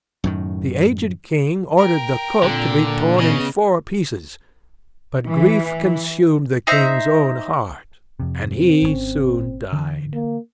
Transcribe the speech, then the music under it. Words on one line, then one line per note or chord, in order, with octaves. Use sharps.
The aged king ordered the cook to be torn in four pieces, but grief consumed the king's own heart, and he soon died.
F#2 A2 D#3
A#4 G5
A#2 D3 C4
A#3
C#3 B3 D#5
E3
D#4 C5 E5 A#5
F2 C3
C4
G#1 C#3 C#4
D3 E3
A#3